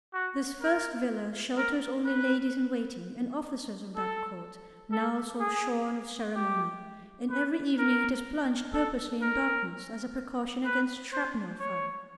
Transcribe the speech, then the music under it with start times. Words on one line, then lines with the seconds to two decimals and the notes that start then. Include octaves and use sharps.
This first villa shelters only ladies-in-waiting and officers of that court now so shorn of ceremony, and every evening it is plunged purposely in darkness as a precaution against shrapnel fire.
0.14 F#4
0.61 A#4
1.57 A#4
2.05 B4
3.96 A4
4.92 A4
5.40 G#4
6.35 G4
7.31 B4
7.78 A#4
8.74 A4
9.22 A#4
10.65 B4
11.13 C5
11.60 C#5